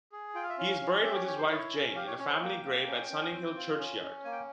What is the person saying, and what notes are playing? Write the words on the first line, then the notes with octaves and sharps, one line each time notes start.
He is buried with his wife Jane in a family grave at Sunninghill churchyard.
G#4
F4 G5
F5
E5
C#4 F5
C#4
G4 E5
C#5
G4 C#5
C5
E4 C#5
C#4
G4 F5
C#5
C#4 C#5
C5
A#3 G5
A#3
C#4
C#4
C4
F4
C#4
C#4
A#3 G#5
G5